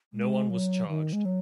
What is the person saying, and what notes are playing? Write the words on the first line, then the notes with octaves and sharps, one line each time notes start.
No one was charged.
G#3
F#3
D#3
G#3
F#3